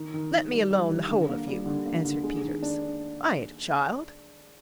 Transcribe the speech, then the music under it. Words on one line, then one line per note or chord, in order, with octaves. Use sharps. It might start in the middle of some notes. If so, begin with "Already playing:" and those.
'Let me alone, the whole of you,' answered Peters: 'I ain't a child.'
Already playing: D#3
D#3
D#3
G3
G3
D#3
D3
A#3
G3
D3
A#3
D3
G#3
D#3
D4